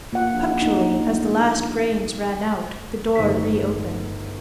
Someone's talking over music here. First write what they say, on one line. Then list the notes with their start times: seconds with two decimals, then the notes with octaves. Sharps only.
Punctually as the last grains ran out, the door reopened.
0.13 A#2 A#3 F#5
0.33 A#1
0.62 D#4
3.15 G1 A2 D#3 C5 B6